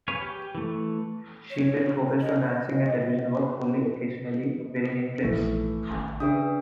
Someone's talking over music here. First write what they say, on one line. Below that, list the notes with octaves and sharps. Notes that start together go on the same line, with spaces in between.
She then focused on dancing and television work, only occasionally appearing in films.
G#4 B4 C#5 F5 G#5
G4
E3 A3
C#5
D#5
A#1 G#2 E3 F3 A3
A1 D#3
C#3 D4 G#4 B4 E5 D#6